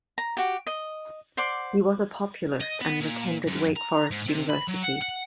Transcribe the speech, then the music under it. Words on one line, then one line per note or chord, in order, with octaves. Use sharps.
He was a Populist and attended Wake Forest University.
A#5
F#4 G4
D#5
C5 D5 F#5 D6
D#5
B3
A#2
F#2
A#5
G#2
C3
B5
F#3
F#5
F#5